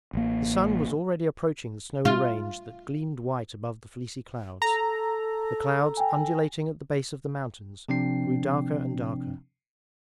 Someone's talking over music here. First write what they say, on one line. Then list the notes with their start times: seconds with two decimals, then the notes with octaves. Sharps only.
The sun was already approaching the snowy range that gleamed white above the fleecy clouds. The clouds undulating at the base of the mountains grew darker and darker.
0.13 A1 A#3
2.05 F4
4.62 A4 A#5
5.97 G5 G#5
7.89 C3 F3 C4 D4 G5 C7